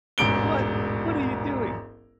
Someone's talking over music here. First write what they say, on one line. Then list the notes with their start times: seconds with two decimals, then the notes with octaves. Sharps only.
What what are you doing?
0.18 E1 A1 G#2 D7 G7